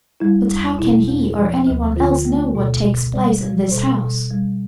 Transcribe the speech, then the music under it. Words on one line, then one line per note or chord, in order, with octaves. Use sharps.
But how can he or any one else know what takes place in this house?
G3 E4
E2
B2 E4
E2
F3
D2
D3 F4
A3
B2
B2
G3 D5
G3
B2 C5
B2
G3